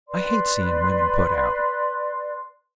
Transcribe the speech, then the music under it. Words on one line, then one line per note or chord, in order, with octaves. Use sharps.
'I hate seeing women put out.
B4 D5 C6